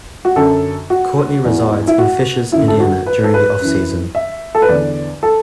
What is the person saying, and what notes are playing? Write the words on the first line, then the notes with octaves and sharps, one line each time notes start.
Courtney resides in Fishers, Indiana during the off-season.
F#4
F#2 D3 A4
F#4
E2 E3
E4
F#4
F#2 D3 E4
A4
F#4
B4
A4
B4
F#2 E3
E5
A4
B4
E2 D3 D5
A4